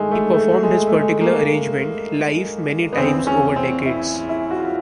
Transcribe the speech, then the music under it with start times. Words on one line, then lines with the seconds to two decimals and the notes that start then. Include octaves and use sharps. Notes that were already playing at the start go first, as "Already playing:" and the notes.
He performed his particular arrangement live many times over decades.
Already playing: G2 D#3 G#3 A3
0.11 A3
0.34 A3
0.63 G#3
0.87 A3
0.93 G#3
1.21 A#3
2.93 B3
2.97 E2 C#3 E3 C4
3.27 C#4
3.56 C4
3.86 E4
4.29 E4
4.51 F#4
4.59 F4